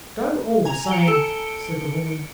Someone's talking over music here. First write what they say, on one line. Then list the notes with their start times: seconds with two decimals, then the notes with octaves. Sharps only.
"Go, all the same," said the woman.
0.65 G#5 A#5 F7
0.90 C#7 D7 G7
1.07 A4